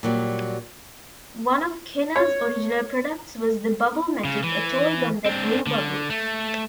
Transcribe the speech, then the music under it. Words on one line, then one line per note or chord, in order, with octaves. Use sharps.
One of Kenner's original products was the "Bubble-Matic," a toy gun that blew bubbles.
A#2 F#3 G3
C#5
C#3
E3
C4 D4
D3
A3